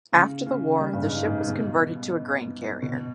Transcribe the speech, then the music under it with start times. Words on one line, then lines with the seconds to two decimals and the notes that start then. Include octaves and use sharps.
After the war the ship was converted to a grain carrier.
0.12 C#3
0.46 C#3
0.80 G3
0.93 G2
1.02 G#2
1.25 G#2
1.48 B2
2.82 B2